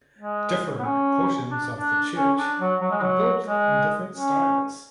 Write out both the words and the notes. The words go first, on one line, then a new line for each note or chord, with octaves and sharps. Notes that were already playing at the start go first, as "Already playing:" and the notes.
Different portions of the church are built in different styles.
G#3
B3
C#4
D4
D4
C#4
D4
F#3
F#3
G#3
F#3
G#3
C#4